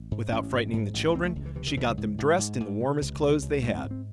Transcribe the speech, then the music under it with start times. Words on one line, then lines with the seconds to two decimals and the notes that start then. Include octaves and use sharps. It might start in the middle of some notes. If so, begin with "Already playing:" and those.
Without frightening the children she got them dressed in the warmest clothes they had.
Already playing: A1
0.11 G#2
0.32 A1 C#4
0.53 G#2
0.73 G#2
0.94 A1
1.15 C#2 C4
1.25 A3
1.36 C#2
1.46 E3
1.56 C3 E3
1.67 D#3
1.77 C#2 E3
1.87 F#3
1.97 G#2
2.18 G#2
2.38 G#2
2.60 G#2
2.80 C3
3.02 C#2
3.22 C3
3.42 C#2
3.62 G#2 A3
3.77 C4
3.84 G#2
3.91 C4